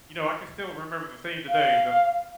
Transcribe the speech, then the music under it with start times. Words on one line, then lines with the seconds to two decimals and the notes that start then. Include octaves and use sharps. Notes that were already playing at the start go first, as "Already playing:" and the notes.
you know, I can still remember the theme today.
1.49 F5